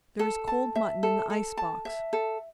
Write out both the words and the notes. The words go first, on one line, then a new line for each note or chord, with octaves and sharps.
There is cold mutton in the ice box.
A4
A5
E5
A4
A4
A5
E5
A4